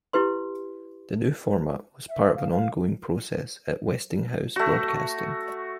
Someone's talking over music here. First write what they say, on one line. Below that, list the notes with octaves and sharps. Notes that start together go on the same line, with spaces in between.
The new format was part of an ongoing process at Westinghouse Broadcasting.
E4 G4 B4 C6
E5
F5
F5
A3 F#4